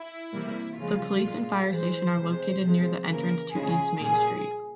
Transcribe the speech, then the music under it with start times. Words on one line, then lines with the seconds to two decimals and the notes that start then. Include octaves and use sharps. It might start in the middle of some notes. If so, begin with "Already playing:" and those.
The police and fire station are located near the entrance to East Main Street.
Already playing: E4
0.33 C3 E3 G3 A#3
0.78 C#3 F3 G#3 F4
1.24 A#2 G#3
1.70 E3 G#3 C5
2.16 C3 E3 G#3
2.63 C3 F3 G#3
3.08 C#3 E3 A#3 A#4
3.54 C#3 F3 G#3 G#4
4.00 A#2 G3 A#3 G#4